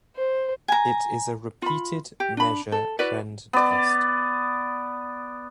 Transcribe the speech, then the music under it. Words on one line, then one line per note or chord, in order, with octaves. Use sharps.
It is a repeated measure trend test.
C5
G#5 A#5
F4 B5
G4
D4 B5
A4
E4 F#4 B4 D5
B3 D5